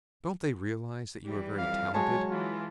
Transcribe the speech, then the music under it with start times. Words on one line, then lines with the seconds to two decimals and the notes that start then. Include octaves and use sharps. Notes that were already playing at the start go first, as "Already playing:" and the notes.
"Don't they realize that you are very talented?"
1.25 E3 G3 G4
1.58 F2 F5
1.94 F#3 G#3 C#5 G#5 A5
2.31 E3 F4